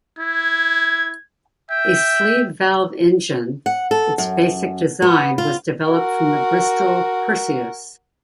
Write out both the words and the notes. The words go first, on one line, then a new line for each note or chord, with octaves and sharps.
A sleeve valve engine, its basic design was developed from the Bristol Perseus.
E4 G#6
E5 G5
F#5
A4
F#2
B3
F4
F#4 A#4